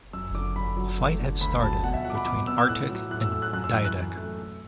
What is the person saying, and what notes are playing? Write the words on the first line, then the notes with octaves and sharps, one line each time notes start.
A fight had started between Artich and Diedek.
F#2 E6
D3 D6
F#2 B5
F#3
A3
D3
D2 B5
F#3 A5
B2 F#5
E5
F#3 F#5
D6
B5
B2 D6
B3 E6
E6
A2 F#6
F#3 E6
A2 F#6
E6
A3 E6
F#6
F#2 F#6
E6
E3
F#6
F#2
A3
A3